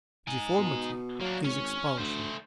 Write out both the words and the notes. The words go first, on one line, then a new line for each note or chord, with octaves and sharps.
Deformity is expulsion.
D#4 G#5
B2
F#3 A#3 D4
G#1 C#4 C#5
D2 A3 C5